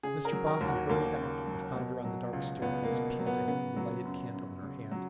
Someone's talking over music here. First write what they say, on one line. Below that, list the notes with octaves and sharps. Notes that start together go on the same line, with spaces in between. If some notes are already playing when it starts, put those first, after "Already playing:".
Mr Boffin hurried out, and found her on the dark staircase, panting, with a lighted candle in her hand.
C#3 G#4
A#4
F#3
A#4
D#2
F#4
D#2 A#3
C#3
F#3
B2
F#3
C#2
C#2 B3
A#3
B2
F#3
B3
C#3 B3
F#3
F#2
F#2
C#3
F#3